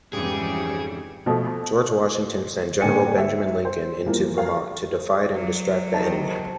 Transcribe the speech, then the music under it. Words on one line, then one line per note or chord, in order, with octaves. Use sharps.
George Washington sent General Benjamin Lincoln into Vermont to "divide and distract the enemy".
F2 G#2 C#3 E3 G3 G4 G#4
B2 F3 A3
D3 A#3 D4 G5 G#5 C#7
E5
C5
E3 F3 G3 A#3
A#4 F5
F#3
C3 D#3 A5